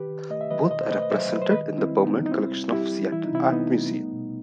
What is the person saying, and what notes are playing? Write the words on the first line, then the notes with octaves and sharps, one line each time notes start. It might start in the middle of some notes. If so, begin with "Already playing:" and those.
Both are represented in the permanent collection of the Seattle Art Museum.
Already playing: D#3 G4 B4
D#3
A3 D#5
E5
D#3 B4 D#5
B2 D#5
C5
A3 B4 D#5
D#5
F#3 C5 E5
F#3 B4
C5
D#3 B4 D#5
D#3
C4 E4
G3
B3 D#4
G3
D#4
G3 C4 E4
G3
G3 E4 G4
G3
E3 E4
D#4
C3 C4 E4
C3 B3 D#4
A3
G3
B2